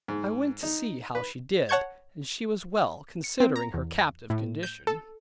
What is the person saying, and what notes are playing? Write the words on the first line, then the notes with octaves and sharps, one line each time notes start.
I went to see how she did, and she was well, considering her captive condition.
G#2
D#4
B4
C#5 F#5 A5 C#6 G6 G#6
C#7
C4
A#5
E2
A2
G6
A4